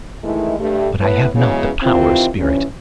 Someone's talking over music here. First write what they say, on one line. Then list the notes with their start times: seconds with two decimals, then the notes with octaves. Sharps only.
But I have not the power, Spirit.
0.23 D#3 E3 G#3 A3 E4
0.59 G2 G3 A3
1.01 A3 B3 E4 B4 C#5
1.36 C#3 E3 F#3 G#3 B3 C#4
1.82 C3 D#3 E3 C4 F4
2.38 G2 E3 F3 C#4